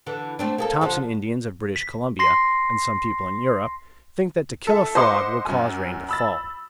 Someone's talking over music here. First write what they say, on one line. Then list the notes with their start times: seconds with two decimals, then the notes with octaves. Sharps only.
The Thompson Indians of British Columbia and some people in Europe think that to kill a frog will cause rain to fall.
0.07 D3 E3 A4
0.39 A3 C4 D4
0.58 A#3 G#4 A4
0.81 D3 F3 A4
1.76 B6
2.19 C6 A#6 C7
4.67 A4 E5
4.95 C5 D#5 E5 F#5 C6 D6
5.45 F#2 G#5
6.09 B5 E6 A6